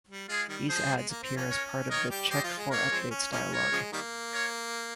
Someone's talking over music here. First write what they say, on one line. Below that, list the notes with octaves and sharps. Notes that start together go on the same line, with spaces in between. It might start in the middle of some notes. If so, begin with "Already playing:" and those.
These ads appear as part of the "Check for updates" dialog.
G3
G#3 F4 G#4
D#3 G3
F3 G#4 C5
G3
G#3
A#3
C4
F3 A#3 C#4
A#4 C#5
D#3 D#4 A#4 C#5
G3 G4
G3 G4 C5 D#5
F3 F4
G#3
A#3 A#4 C#5
F3 G#3 C4
C#4
F3 A#3 C#4
A#4 C#5
C#3 F3 G#3
D#3 G3 A#3
A#4 C#5